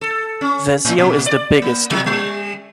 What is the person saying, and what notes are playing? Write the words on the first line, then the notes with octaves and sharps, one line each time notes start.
Vesio is the biggest one.
A4
C#4
A2
A#2
D5
A#3
F3
G3